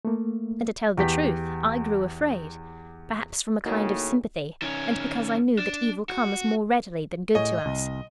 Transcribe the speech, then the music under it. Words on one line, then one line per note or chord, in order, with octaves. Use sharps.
And to tell the truth, I grew afraid; perhaps from a kind of sympathy, and because I knew that evil comes more readily than good to us.
A3 A#3
E2 G4 B6
A2 C#3 A#3 D#4 F#4
D#3 C#4
D4
F#4
A2 G#4 C#5 D#5
C2